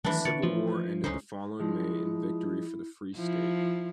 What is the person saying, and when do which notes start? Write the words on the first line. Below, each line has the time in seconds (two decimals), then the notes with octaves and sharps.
The Civil War ended the following May in victory for the Free State.
0.04 D#3 E3 F#3 A3 D4
0.25 D3 C#5 D5
0.43 E3 F3 A3
1.04 C#2 D3 C#4 D#4 C5
1.60 F3 G#3 E4
3.16 F3 E4